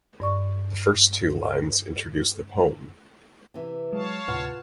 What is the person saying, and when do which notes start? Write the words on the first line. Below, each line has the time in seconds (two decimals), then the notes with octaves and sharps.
The first two lines introduce the poem.
0.20 G2 D5 C#6
3.54 C3 E3
3.93 F#3 G#3 C#5 F5 A5
4.28 D2 A2 C3 F4 B4 F#5 F6